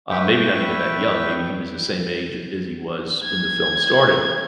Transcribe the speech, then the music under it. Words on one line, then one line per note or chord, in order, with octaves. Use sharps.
uh, maybe not even that young, maybe he was the same age as he was when the film started-
B4 E5 G5 C#6
G#6